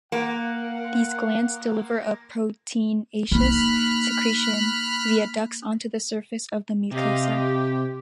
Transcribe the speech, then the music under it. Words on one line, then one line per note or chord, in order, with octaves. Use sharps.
These glands deliver a proteinaceous secretion via ducts onto the surface of the mucosa.
A#3 F5 F#5
A#3 D#4 B5 F6 F#6
C3 G4 D#5 F5
G4